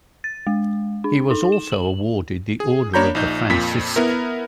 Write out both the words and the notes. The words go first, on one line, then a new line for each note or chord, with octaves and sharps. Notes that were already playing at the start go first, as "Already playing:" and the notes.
He was also awarded the Order of the Francisque.
A6
G#3
D4
D#4
E7
F#7
G#4
A#3 D4 C#5 A#5 B5 G6
A#1 D#4 G6
F2 A#2 B6
B3 E4 A#4